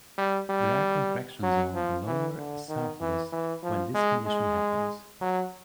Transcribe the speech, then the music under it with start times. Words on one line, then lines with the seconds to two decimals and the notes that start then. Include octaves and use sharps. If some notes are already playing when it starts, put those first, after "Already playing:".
There are contractions along the lower esophagus when this condition happens.
0.18 G3
0.50 G3
1.43 F#3
1.75 F3
2.07 E3
2.38 D3
2.69 D#3
3.01 E3
3.32 E3
3.63 F3
3.94 G#3
4.26 G#3
5.21 F#3